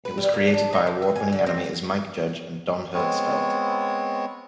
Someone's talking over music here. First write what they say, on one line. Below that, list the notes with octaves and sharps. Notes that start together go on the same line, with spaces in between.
It was created by award-winning animators Mike Judge and Don Hertzfeldt.
B4
G3
A#3
D4
D#4
F3
E5
G#5
D3
C4
G#3 B3 C4 C#5